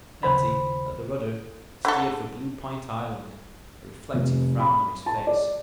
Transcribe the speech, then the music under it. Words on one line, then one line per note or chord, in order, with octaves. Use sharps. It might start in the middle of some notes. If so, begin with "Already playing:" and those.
Natty, at the rudder, steered for Blue Point Island, a reflective frown on his face.
D#2 C#3 C5 B5
D3 A4
F1
B5
A5
D5